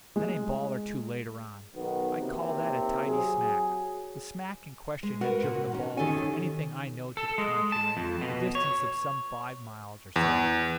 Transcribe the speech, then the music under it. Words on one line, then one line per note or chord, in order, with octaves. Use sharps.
Then a ball or two later on, "I call that a tidy smack." The "smack" in question had driven the ball, for anything I know to the contrary, a distance of some five miles or so.
G#3
B1 D#3 B3
D#2 C3
F#3 G#4
G#3
F#4 A#4 B4
A#2
D#3 C#4
D#3 C#4 G4 A4 G#5
A4
G#3
A5
F2
B2
C#5
E2